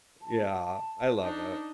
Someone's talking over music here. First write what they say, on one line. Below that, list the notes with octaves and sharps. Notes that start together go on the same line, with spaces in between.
Yeah, I love it.
A5
D4 D#4